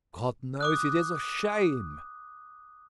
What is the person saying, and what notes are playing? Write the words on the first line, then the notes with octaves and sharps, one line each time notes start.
"God knows it is a shame!"
D6 D#6 F#6